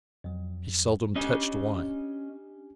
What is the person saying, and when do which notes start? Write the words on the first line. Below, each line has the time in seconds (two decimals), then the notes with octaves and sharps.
He seldom touched wine.
0.24 F2 F#3
1.15 C#4 D4 G4 D#5 G#5